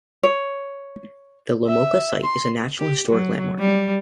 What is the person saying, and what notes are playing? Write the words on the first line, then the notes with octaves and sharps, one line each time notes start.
The Lamoka Site is a National Historic Landmark.
C#5
E5
C6
G4
F#3
G3